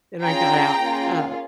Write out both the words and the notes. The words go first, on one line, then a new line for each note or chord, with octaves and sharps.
Then I got out, uh,
C#4 F4 G#4 G5 A#5
A#3 C#4 F4 G#4